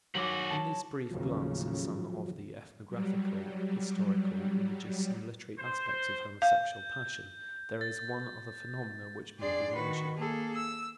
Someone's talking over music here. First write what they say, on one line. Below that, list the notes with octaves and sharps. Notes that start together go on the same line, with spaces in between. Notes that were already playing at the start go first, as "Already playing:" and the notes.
In this brief glance at some of the ethnographical, historical, religious, and literary aspects of homosexual passion there is one other phenomenon which may be mentioned.
D#3 F#3 F#4 D6
A5
D#2 A2 C#3 F3 F#3
F#3 G3
C5
F5 G6
A6
F2 D4 G#4 D5 C6
D#3 F#4 B4
A#3 G#4 A4
E6